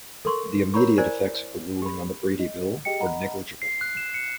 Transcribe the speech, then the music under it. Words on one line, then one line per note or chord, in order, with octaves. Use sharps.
The immediate effects of the ruling on the Brady Bill were negligible.
A4 A#4 C6 C#6
A#4 C#5 A#5 B5 C#6
E4 A#4 C5 D5 G#5
G4 B5
D#5
G4 G#4 D#5 G5 C#7
D#5 F#5 A#5 B5
C7
F#6
E7
C#7